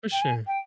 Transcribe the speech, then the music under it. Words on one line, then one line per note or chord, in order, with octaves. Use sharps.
For sure.
G5
G#5
G5